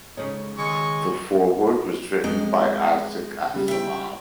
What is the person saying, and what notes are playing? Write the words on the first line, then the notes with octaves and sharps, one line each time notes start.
The foreword was written by Isaac Asimov.
C#3 G#3 C#4 D#4 A4 C#5
D#3 G#3 C#6
F2 G#3
C#3 G3
E5 G5